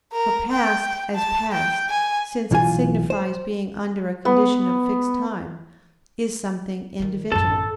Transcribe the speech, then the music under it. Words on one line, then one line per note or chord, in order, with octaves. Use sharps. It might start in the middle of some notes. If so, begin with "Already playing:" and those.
For past, as past, since it signifies being under a condition of fixed time, is something individual.
A#4
G5
A5
G5
G#5
B1 E3 F4 G#5
C5
B3
D#3 F3
A1 F#2 A4 A5